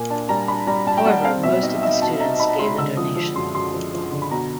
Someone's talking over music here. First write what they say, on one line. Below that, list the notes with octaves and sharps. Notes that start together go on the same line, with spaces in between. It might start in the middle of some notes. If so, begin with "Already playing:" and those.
However most of the students give the donation.
Already playing: A#2 A#3 G#5
D4 A5
G3 A#5
D4 B5
G3 A#5
G3 A5
G5
G3 F#5
C4 F5
B2 E5
D#4 D#5
D#4 E5
B2 A5
D#4 A#5
D#4 B5
G#3 C6
D3 E6
F3 D#6
F3
F#2 C6
F#2 C6
F3
F3
D3
B5
B2 A#5